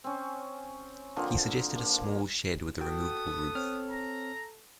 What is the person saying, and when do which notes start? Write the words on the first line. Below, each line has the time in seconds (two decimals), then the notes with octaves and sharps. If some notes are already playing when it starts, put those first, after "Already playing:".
He suggested a small shed with a removable roof.
0.04 C4 C#4
1.16 D3 F3 A#3 C4
1.75 A#3
2.80 B3 F#4 A4 G5 D#6
3.55 C4 C#5 F6
3.90 A#5